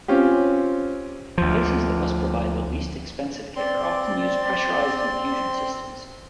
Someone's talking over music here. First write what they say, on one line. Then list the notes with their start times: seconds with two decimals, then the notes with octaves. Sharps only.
Places that must provide the least-expensive care often use pressurized infusion systems.
0.08 C4 C#4 F4 G4
1.38 D2 F3
3.56 C4 D5 C6